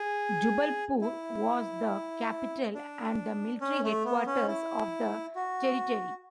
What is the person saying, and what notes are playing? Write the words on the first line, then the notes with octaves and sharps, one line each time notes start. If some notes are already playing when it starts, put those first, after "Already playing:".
Jubbulpore was the capital and the military headquarters of the territory.
Already playing: G#4
E4
D4
C#4
A3
B3
C#4
E4
F#4